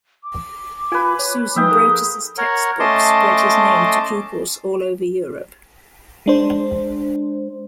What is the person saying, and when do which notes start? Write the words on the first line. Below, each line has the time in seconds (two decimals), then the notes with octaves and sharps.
Susenbrotus' textbooks spread his name to pupils all over Europe.
0.24 D6
0.92 F4 B4 G#5
1.19 C#5
1.56 F3 D#4 B4 E5 G5 D#6
1.71 A#3 G#4 A4
2.38 A#4 C#5 F#5
2.80 A3 C#4 D#5 A5 C6 D6
6.26 G#3 D4 C5